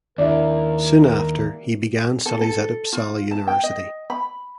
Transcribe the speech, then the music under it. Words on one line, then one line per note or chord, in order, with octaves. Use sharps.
Soon after he began studies at Uppsala University.
D#2 D4 E4 A#4
A4
A4
F4
A5
G5
D#5
B5